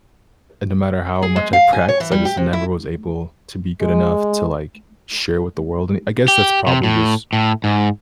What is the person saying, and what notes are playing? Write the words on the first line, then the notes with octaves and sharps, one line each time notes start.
no matter how much I practice, I just never was able to be good enough to, like, share with the world and I guess that's probably just
G#4
G#3
F5
G#5
C#5
E3
G3
G4
C3
E4
G#3
G4
C3
A2
A2
G#2